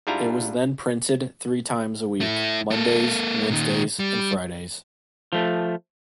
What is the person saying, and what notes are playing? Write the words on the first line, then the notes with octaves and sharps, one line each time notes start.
It was then printed three times a week: Mondays; Wednesdays and Fridays.
G#2 G3 D4 E4 F4 A#5
A3 E4
A#3 A4
A#2 D#3
G3
F3 A3